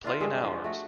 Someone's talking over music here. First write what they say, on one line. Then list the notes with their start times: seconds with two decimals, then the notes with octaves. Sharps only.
Play in ours.
0.04 D4 E4 F4
0.20 G2 G#3 E5
0.44 F3
0.64 A3 F#4